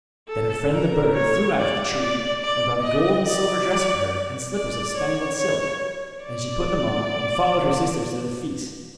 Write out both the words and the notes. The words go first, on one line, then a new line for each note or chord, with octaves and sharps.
Then her friend the bird flew out of the tree, and brought a gold and silver dress for her, and slippers of spangled silk; and she put them on, and followed her sisters to the feast.
A4
A#4
C#5
D5
D5
D5
D#5
D5
D5
C#5
C#5
D5